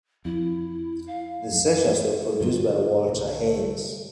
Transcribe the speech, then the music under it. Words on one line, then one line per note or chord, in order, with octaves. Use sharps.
The sessions were produced by Walter Haynes.
F2 E4
F5
F#2
G2 D3 F#3 F4
C2 A2 D3 A3